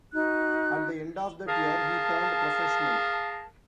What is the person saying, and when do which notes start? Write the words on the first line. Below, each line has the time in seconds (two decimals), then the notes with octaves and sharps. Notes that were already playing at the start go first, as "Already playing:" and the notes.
At the end of that year he turned professional.
0.13 D#4 F#4 F#6
1.47 G#4 A#4 F5 A5